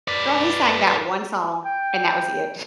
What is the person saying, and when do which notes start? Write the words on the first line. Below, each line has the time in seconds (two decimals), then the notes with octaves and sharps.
Girl, he sang that one song, and that was it.
0.08 B4 D5
1.65 G5